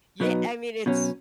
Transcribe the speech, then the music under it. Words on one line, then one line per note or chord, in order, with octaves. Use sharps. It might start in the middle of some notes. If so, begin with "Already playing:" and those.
Yeah, I mean, it's
B2 F#3 B3 D#4
B2 F#3 C#4